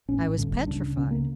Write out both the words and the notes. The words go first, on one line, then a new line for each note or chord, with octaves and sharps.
I was petrified.
A1 A2 C#4
G1 G2 D3
C#2 C#3 D4
C#2 C#3 C#4
A#3